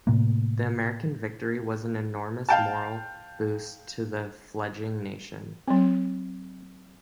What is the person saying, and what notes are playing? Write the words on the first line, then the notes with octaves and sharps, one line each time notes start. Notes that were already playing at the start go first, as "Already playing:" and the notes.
The American victory was an enormous morale boost to the fledgling nation.
A2 C3 A3 A#3
F5 G5 A5
F#3 C4